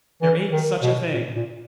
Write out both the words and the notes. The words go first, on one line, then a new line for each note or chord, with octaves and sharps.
"There ain't such a thing!"
E3
D#3
B2
A#2
A#2